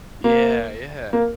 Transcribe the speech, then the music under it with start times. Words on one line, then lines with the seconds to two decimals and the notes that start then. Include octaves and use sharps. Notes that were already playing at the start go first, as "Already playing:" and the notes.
Yeah, yeah,
0.24 A#3
1.13 A#3